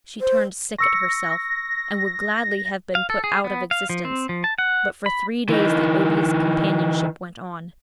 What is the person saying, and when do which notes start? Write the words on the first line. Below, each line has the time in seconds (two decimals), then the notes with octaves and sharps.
She turned sick at herself, and would gladly have been put out of existence, but for three days the odious companionship went on.
0.21 C5
0.79 C#6 E6 A#6 C#7
2.95 F5
3.10 A4
3.24 G#4
3.44 B3
3.71 F5
3.90 F3
4.05 C4
4.29 F3
4.44 A5
4.58 F#5
5.06 B5
5.49 E3 D#4